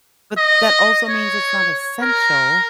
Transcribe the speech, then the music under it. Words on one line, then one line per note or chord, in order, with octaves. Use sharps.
but that also means it's not essential,
D#5
C#5
A#4